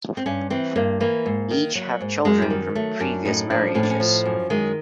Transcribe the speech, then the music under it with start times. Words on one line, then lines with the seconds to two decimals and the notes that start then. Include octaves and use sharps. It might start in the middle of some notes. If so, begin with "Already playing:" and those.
Each have children from previous marriages.
0.17 C4
0.26 G2 C#4
0.50 E3 C4
0.76 G2 A#3
1.00 E3 A#3
1.26 G#2
1.51 D#3
1.75 F#3
2.01 G#2
2.25 F#2 G#3
2.42 G3
2.50 D#3
2.75 F#3 A3
3.00 F#2 D4
3.25 A2 D#4
3.50 F3 D4
3.75 A2 C#4
3.83 D4
3.90 C#4
4.00 F3
4.25 F#2
4.50 D#3 G#3